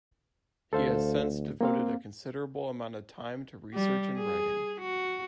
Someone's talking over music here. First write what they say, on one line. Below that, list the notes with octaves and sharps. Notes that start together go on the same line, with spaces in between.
He has since devoted a considerable amount of time to research and writing.
D2 A4 C5 F5
A#3 C4 F5
G3
G#4
F#4